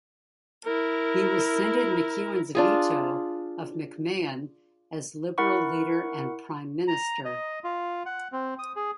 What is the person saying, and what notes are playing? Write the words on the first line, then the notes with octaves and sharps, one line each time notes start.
He rescinded McEwen's veto of McMahon as liberal leader and Prime Minister.
E4 A#4
D4 F4 G#4
E4 A#4 F#5 B5 C#6
A#5
D#5
F4
F#5
C4
D#6
G#4